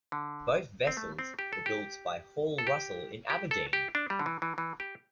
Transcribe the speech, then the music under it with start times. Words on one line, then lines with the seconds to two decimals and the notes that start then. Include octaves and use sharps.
Both vessels were built by Hall Russell in Aberdeen.
0.12 D3
0.87 C4
0.97 A3
1.19 C4
1.39 G4
1.53 A4
1.66 G4
2.58 A4
2.67 G4
3.30 G4
3.51 A4
3.73 G4
3.95 D4
4.10 G3
4.19 D3
4.26 E3
4.42 E3
4.58 E3
4.80 G4